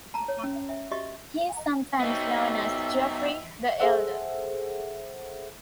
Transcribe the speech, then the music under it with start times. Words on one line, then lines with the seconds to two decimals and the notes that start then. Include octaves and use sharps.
He is sometimes known as "Geoffroy the Elder".
0.14 A5 A#5
0.28 C#5
0.43 C#4
0.69 E5
0.91 F#4 G4 D#5 E5 C#6
2.00 B3 D#4 C5 D#5 E5 G5
3.80 G#4 A4 C5 E5 F#5